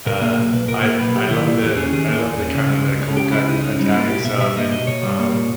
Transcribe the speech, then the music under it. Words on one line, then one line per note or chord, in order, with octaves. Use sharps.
Uh, I I love the I love the kind of the cold cut Italian sub and, um,
A#2 A#4
A#3 G#4
B1
B1 B4
A#2 A#4
A#3 A#4
B1 B4
B1 G4
D#3 E4
A#3
E2 G4
C#4 G#4
D#3 G#4
A#3
E2
C#4
C#3
G#3
C#2
C#4
C#3 G4
G#3 E4
C#2 D#4
C#4
G3 D#4
A#3 E4
B2 G4
B2 E5
G3 E5
A#3 D#5
B2 D#5
B2 C#5
G3
A#3
A#2